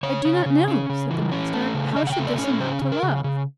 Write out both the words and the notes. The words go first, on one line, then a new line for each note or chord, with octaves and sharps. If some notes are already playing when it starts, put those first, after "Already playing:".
I do not know, said the Master: how should this amount to love?
C#3 C#5
C#3
C#3
C#4
C#3
E3
C#4
A3
C#3
C#3 D#5
F#5
G5
A3
D5
C#4
C#5
C#3 C5
C#3
A#4
C#3
C#3